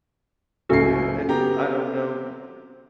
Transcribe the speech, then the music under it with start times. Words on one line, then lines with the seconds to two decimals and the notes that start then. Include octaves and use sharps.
Yeah, and, I don't know
0.69 F#1 C#2 C#4 F#4 A4 C7
1.28 B3 G4 A#5